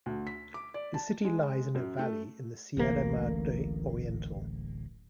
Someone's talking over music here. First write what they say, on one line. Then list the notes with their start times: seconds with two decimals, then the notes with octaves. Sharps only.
The city lies in a valley in the Sierra Madre Oriental.
0.06 D2
0.27 B6
0.54 D6
0.74 D5
0.94 A5
1.24 G#3
1.75 F#2
1.99 A3
2.77 D1 A1 A#3